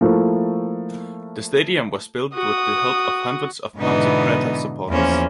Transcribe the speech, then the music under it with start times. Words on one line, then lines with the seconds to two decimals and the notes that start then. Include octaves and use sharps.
The stadium was built with the help of hundreds of Ponte Preta supporters.
0.01 F3 A3 A#3 E4
2.34 F#4 D#6
3.77 G#2 B2 D3 E3 B3 D#4
4.90 E2 F3 A#3 C#4 C5